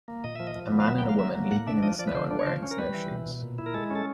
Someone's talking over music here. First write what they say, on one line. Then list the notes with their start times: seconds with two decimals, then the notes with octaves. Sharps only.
A man and a woman leaping in the snow and wearing snowshoes.
0.08 A#3
0.24 A#2 D#5
0.35 F3 E5
0.47 D#5
0.56 F3
0.72 B3
0.80 F5
0.88 F#3 E5
0.98 G5
1.03 A#3
1.09 F5
1.19 F#3 E5
1.35 A#3
1.51 A2 F#5
1.67 D4 E5
1.83 F3 D#5
1.99 F3 D5
2.07 B4
2.15 D3 C5
2.31 D4
2.39 C#5
2.46 F3 C5
2.63 C#4
2.71 A#4
2.78 G3 B4
2.94 E3
3.11 B2
3.26 B2
3.43 A#2
3.58 E4
3.66 A#4
3.74 G#3 A4
3.91 C#4 A4